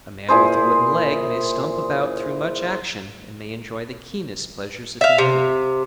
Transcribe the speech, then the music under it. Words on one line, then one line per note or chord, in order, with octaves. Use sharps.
A man with a wooden leg may stump about through much action, and may enjoy the keenest pleasures of humanity.
A#2 E4 G#4 C5
E5 F5
C3